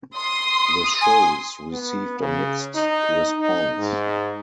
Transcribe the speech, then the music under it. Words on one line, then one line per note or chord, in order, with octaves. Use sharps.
The shows received a mixed response.
C6 D#6
G#5 C6
B3
C#3
D#4
D#4
G#2